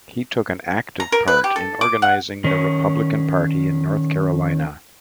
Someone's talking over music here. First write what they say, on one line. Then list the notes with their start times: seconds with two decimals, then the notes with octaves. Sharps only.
He took an active part in organizing the Republican Party in North Carolina.
1.00 A#5
1.12 A#4
1.28 B4
1.44 G4
1.56 A4
1.81 D6
2.02 F#5
2.44 D#3 C#4